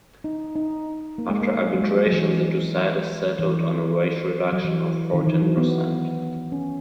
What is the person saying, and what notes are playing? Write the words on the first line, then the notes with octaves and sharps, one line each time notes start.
After arbitration the two sides settled on a wage reduction of fourteen percent.
D#4
D#4
A#3
G#3
A#3
F#3
G#3
F#3
E3
E3
F#3
E3
D#3
E3
F#3
B3
C#4